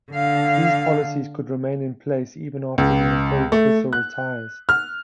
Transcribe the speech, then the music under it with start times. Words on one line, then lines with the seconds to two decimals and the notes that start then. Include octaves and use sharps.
These policies could remain in place even after the employee quits or retires.
0.12 D3 F5
2.78 C#2
3.52 A3
3.93 F#6
4.69 F6